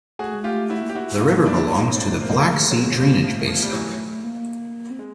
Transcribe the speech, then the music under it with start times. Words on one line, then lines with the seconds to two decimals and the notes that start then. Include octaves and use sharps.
The river belongs to the Black Sea drainage basin.
0.19 A3 F#4 G#4
0.34 G#3
0.44 A3 F4 G4
0.69 E4 F#4
0.82 A#3
0.89 G4
0.95 E4 F#4
1.20 D#4 F4
1.45 D4 E4
1.70 C#4 D#4
1.95 A3 C4 D4
2.21 A#3 C4
2.46 G#3 A#3
2.71 F#3 G#3
2.97 F3 G3
3.23 F3
3.47 F3
3.62 G3
3.72 E3 F#3
4.24 A#3
4.91 C4
4.99 G#3